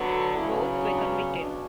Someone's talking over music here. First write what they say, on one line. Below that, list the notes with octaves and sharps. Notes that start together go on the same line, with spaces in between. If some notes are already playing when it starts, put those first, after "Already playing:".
Both were convicted.
Already playing: D3 F#3 B3
C#3 F#3 B3 E4
D4
B2 D4